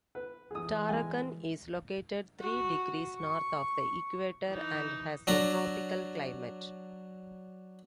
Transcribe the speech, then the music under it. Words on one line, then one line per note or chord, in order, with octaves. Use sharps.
Tarakan is located three degrees north of the equator and has a tropical climate.
B4
E3 G#4 D#6
G#3 G#5
F#4
C#6
E3 D#4
F#3 D4 A#5